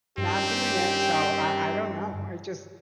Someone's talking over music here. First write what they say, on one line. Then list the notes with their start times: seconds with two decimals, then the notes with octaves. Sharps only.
not doing it, so, I I don't know, I just
0.18 G2 D#3 C4 C#4 G4